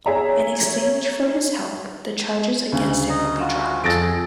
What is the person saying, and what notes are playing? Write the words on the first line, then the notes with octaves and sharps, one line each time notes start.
In exchange for his help the charges against him will be dropped.
G#4 C#5 E5 A#5
D2 C#3
D#5 A#5
F4 F#4
F2 G#4 A4 A6 A#6 D7